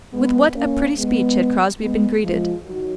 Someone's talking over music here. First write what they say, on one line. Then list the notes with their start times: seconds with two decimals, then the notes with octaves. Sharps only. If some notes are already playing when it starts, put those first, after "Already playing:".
With what a pretty speech had Crosbie been greeted!
0.12 G#3 B3
0.53 A#3 C#4
0.96 G#3 B3
1.79 G#3 B3
2.22 F3 G#3
2.62 D#3 F#3